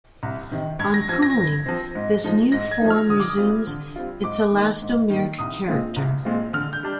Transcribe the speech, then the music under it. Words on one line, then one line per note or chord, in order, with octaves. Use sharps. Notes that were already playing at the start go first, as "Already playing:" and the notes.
On cooling, this new form resumes its elastomeric character.
C2
C3 D#3
G2 G#6
A#6
F3 C4 G#6
A#6
G2
F3 C4
G#2
F3 G#3 D#4
G#2 A#6
G#6
F3 G#3 D#4
F6
D3 D#6
D6
D#6
G3 C4 F4
D3
G3 C4 F4
G#2 D6
D#3 A#3 D#4
G#2
D#3 A#3 D#4
C2 D#6
A#2 G#3 C4 F4
C2
A#2 G#3 C4 F4
D3 F6
G6
G3 D4